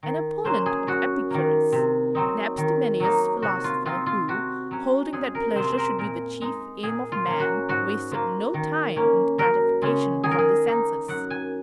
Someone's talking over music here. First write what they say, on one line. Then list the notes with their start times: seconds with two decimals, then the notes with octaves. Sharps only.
An opponent of Epicurus, an abstemious philosopher who, holding that pleasure should be the chief aim of man, wasted no time in gratification from the senses.
0.03 D#3
0.44 F#3 A#3 C#4 C5
0.66 G#4
0.87 F#2 F#4
1.31 D#3 A#3
1.72 C3
2.15 F#3 C4 D#4
2.57 D#3
3.00 F#3 A#3 D#4
3.42 C3 F#4
3.64 F4
3.86 F3 C4 D#4 F4
4.06 F4
4.28 C3 F#4
4.71 F#3 C#4
5.13 F2 G#4
5.35 A#4
5.55 C3 F3 G#3 C4 C5
5.72 C5
5.77 A#4
5.99 A#2 A#4
6.41 G#3 D#4
6.83 A#2 G#4
7.12 F4
7.25 F#3 A#3 C#4
7.40 F#4
7.69 G#2 F#4
8.12 F3 A#3
8.54 D#3
8.96 A#3 C#4
9.38 F#2 A#4
9.82 C#3 G#3 C#4
10.24 D#3 G#4
10.31 A#4
10.39 G#4
10.67 A#3 D#4
11.08 F#2 F#5
11.30 G#5